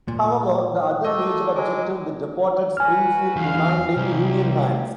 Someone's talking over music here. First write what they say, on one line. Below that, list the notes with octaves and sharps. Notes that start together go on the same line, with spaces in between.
However, the other major objective, the depot at Springfield, remained in Union hands.
A#2
A3 A#3 A4 D#5
F#3 G#3 D6
F#4 B4 G#5 F6
E2 F5
C2 D#4 G4